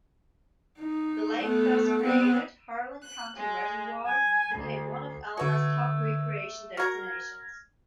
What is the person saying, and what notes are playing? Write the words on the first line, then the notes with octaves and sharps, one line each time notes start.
The lake thus created, Harlan County Reservoir, became one of Alma's top recreation destinations.
D#4
A3 B3
B3 C4
F#6
G#3
G#5
D2
D3 A3 F#4 B4 G#6
F#4 A#4 F6 G#6 A#6